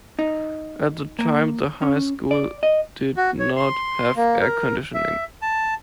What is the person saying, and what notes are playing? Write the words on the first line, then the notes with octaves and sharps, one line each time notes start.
At the time the high school did not have air conditioning.
D#4
A#3
C#4
D5
D#5
F#4
C#5
C6
A#3
A#4
E5
A5